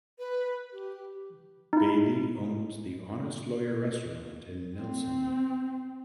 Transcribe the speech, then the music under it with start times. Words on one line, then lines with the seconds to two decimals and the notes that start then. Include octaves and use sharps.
Baillie owns The Honest Lawyer restaurant in Nelson.
0.19 B4
0.72 G4
1.73 D#4 E4
4.76 C4